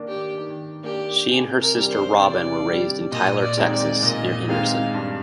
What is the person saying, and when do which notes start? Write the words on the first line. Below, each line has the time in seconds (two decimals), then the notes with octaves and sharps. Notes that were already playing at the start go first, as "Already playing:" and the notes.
She and her sister Robyn were raised in Tyler, Texas, near Henderson.
Already playing: D#3 A#3 D4
0.08 G4
0.38 D#3
0.84 A#3 D4 G4
1.29 C3 G#4
1.59 A#4
1.75 G3 D4
1.90 C5
2.20 C3 D5
2.66 G3 D4
3.12 A#2 D#5
3.42 D5
3.57 G#3 C4 D#4
3.72 D5
4.02 A#2 D#5
4.48 G#3 C4 D#4 F5
4.94 G2